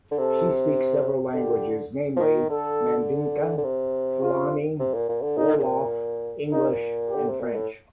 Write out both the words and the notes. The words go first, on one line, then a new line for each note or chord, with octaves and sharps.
She speaks several languages, namely: Mandinka, Fulani, Wolof, English and French.
D3
C3 A4
D3 G4
F3
D#3
D3 A4
D3
C3
F4
C3
A#2
A#2
D3
A#2 D#4
A#2 D#4
G4
D3
C3
A#2
A2